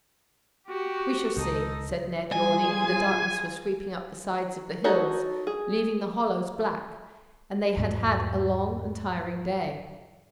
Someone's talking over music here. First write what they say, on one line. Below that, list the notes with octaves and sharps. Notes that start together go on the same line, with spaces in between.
"We shall see," said Ned, yawning, for the darkness was sweeping up the sides of the hills, leaving the hollows black, and they had had a long and tiring day.
F#4 G4
C#2 D#4 A4
G3 F4 G#4 G#5
D#4 F#4 A4 C#5
G#4
E2 G#2 F#3